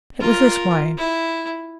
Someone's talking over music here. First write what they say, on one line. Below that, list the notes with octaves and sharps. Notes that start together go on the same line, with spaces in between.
It was this way.
F4 A#4
E4